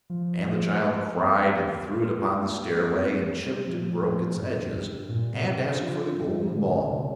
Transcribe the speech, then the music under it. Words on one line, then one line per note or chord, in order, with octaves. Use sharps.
And the child cried and threw it upon the stairway and chipped and broke its edges and asked for the golden ball.
F3
F3
A#3
C4
A#3
C4
G3
F3
G2
G2
A#2
C3
D3
F3
D3
C3